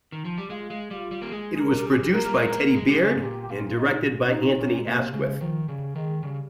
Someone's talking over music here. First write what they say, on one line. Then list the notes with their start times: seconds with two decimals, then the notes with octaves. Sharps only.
It was produced by Teddy Baird and directed by Anthony Asquith.
0.12 D#3
0.25 F3
0.38 G3
0.50 G#3 F4
0.70 G#3
0.91 G3 F4
1.11 G3
1.22 A#3
1.31 G#3 G#4
1.54 G#4
1.60 A#4
1.73 G3 A#4
1.86 G#4
2.13 A#3 A#4
2.26 G3
2.34 G#3
2.55 A#3
2.75 G#3
2.87 G4
2.95 C#3 G#4
3.15 G#2
3.23 A#2 G4
3.42 G4
3.49 A#2 F4
3.78 D#4
4.28 C#4
4.32 D#4
4.59 A#2 C#4
4.79 G#3
4.86 C3 A#3
5.14 C#3 G#3
5.41 D#3 F3
5.68 C#3 G3
5.95 D#3 G#3
6.23 C#3 G3